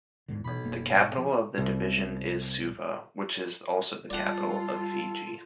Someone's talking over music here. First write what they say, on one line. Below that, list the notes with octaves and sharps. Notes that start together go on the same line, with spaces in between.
The capital of the division is Suva, which is also the capital of Fiji.
E2 G#2 D3
B1 B2 E3 B5
F#1 A#3
G#1
F3
C2
G3 F4 A4 D5 F#5